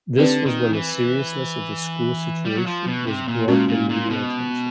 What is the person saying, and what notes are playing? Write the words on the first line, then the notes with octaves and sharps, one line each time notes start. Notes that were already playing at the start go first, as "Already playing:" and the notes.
This was when the seriousness of the schools situation was brought the media attention.
D3 C4 D#4 G4 B4 D5
D#3
E3
G3
F#3
F3
B2
C3
A#2
A#2 G#3 C#4 F#4
A#2
A#2
B2